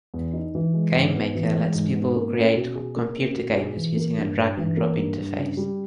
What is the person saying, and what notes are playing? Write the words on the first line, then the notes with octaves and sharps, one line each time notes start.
Game Maker lets people create computer games using a drag-and-drop interface.
E2
D#4
E3
G#3
G#2
B3
E3
G#3
G#2
B3
A#3
C#4
B2
G#4
A#3
C#4
B2
G#4
E3
A#3
G2
G2
E3
A#3
G2
G2
C#3
G3